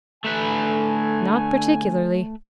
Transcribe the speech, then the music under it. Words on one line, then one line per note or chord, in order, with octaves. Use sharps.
"Not particularly."
D3 A3 B4 G#5